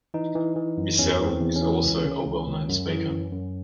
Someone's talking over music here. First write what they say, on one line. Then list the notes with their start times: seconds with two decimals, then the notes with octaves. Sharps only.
Miesel is also a well-known speaker.
0.14 E3 D#4
0.35 E3
0.56 E3
0.78 F#2
0.98 E2 C#4
1.20 E3
1.27 C4
1.41 E2
1.56 C#4
1.62 E3
1.84 C#2
2.05 C#3
2.26 C#2
2.47 C#2
2.68 F#2
2.90 E3
3.11 F#2
3.31 F#2